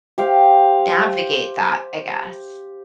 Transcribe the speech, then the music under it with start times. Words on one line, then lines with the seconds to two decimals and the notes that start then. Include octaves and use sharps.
navigate that, I guess?
0.18 G4 C5 F5